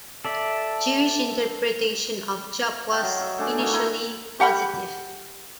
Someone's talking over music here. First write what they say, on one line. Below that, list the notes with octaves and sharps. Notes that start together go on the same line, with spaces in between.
Jewish interpretation of Job was initially positive.
A4 D5 E5
D#5 F5 G5
F#3
E5
A3 D4 G#4
A3 A#3 D#4 F#4
E4 A4 A#5
G4 F#5 A#5 B5